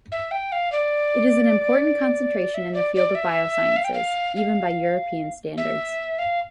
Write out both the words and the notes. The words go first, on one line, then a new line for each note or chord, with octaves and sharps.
It is an important concentration in the field of biosciences, even by European standards.
E5
G5
F5
D5
E5
D5
D5
E5
F5
G5
F5
F5
E5
F5